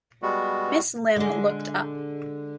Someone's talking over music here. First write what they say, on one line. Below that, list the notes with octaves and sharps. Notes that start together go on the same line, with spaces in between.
Miss Limb looked up.
G3 G#3 B3 F#4
D3 G#3